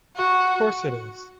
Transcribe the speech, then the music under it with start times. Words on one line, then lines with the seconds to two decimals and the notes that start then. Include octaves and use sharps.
Of course it is!
0.16 F#4